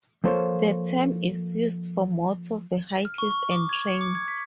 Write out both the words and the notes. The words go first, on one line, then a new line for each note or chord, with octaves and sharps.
The term is used for motor vehicles and trains.
F3 A#3 A4 C5 C#5
F6
C#6
C#6
D6
G#6
C#7
D6
G#6
B6